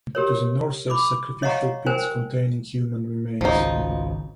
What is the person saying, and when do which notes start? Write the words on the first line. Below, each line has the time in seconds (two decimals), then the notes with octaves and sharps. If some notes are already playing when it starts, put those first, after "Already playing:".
To the north are sacrificial pits containing human remains.
0.15 G4 A#4 C#5
0.90 B5 D6
1.42 C#5 D#5 F5 F#5 A#5 C#6
1.86 A#4 C5 G5 G#5
3.41 G#1 C#2 F3 D#4